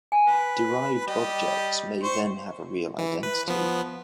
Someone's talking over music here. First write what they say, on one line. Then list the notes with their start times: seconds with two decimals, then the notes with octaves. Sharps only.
Derived objects may then have a real identity.
0.12 G#5
0.27 B4
1.07 G3 G4 D#5
2.03 C5 C#6
2.99 E3
3.23 B4
3.48 F3 B3